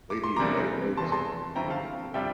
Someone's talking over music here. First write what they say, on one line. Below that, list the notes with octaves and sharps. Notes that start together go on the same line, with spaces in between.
Lady in white robe soaking her feet in a pool.
D6
C6
E2 C3 G3 A#3 D4 A#5 D6
F1 E2 E3 A5 C6
A5 C6
G1 G2 F3 C4 E4 G5 A#5
F5 A5
C3 G3 D4 F4 E5 G5